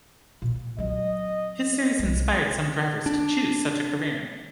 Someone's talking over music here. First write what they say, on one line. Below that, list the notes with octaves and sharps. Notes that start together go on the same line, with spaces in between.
His series inspired some drivers to choose such a career.
A#2
F#3 C4 D#5
C2 G#3
D4